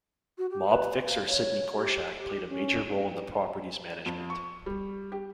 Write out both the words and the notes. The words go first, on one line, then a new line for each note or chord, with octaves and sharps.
Mob fixer Sidney Korshak played a major role in the property's management.
F#4
G4
B4
F5
C#5
G4
G4
C#4
F2
C#6
G3
G4